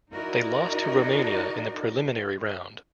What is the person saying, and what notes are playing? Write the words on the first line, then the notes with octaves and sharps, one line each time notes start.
They lost to Romania in the preliminary round.
D#4 E4 F#4 A#4 D5 D#5